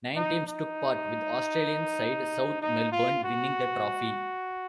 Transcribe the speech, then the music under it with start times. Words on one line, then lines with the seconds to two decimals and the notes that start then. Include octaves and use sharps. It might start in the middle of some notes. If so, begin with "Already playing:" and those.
Nine teams took part, with Australian side South Melbourne winning the trophy.
0.16 D#4
0.47 D#4
2.62 D#4
2.92 F4
3.24 F#4